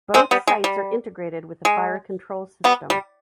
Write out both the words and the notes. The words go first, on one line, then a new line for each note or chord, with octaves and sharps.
Both sights are integrated with the fire-control system.
G#3 C4
G3 B3
G#3
G3
G#3
G3 B3
G3